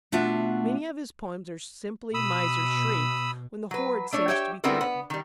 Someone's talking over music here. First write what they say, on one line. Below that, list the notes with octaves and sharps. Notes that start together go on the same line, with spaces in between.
Many of his poems are simply miser's shrieks when the hoard seems to be threatened.
B2 A3 D4 F4 E5 F#5
B2 B5 D#6 E6
F#3 B4
A3 D4 C#5
G4 C#5 E5 G5
D3 B3 C4 E4 F4 A#4
B3
D#3 G3